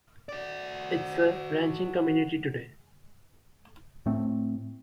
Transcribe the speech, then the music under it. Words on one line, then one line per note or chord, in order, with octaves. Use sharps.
It is a ranching community today.
F#4 D5
A2 A3 C4